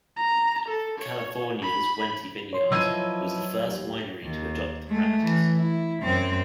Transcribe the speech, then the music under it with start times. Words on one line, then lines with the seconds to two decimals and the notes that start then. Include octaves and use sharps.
California's Wente Vineyards was the first winery to adopt the practice.
0.17 A#5
0.69 A4
0.98 C#5
1.62 B5
2.53 C#5 C6
2.72 F3 F#3 E4 B4 D#5 E6 G#6 D#7
3.53 D#2
4.23 D#2
4.88 G#3 A3
5.23 E3
5.56 E4
6.02 F#2 C4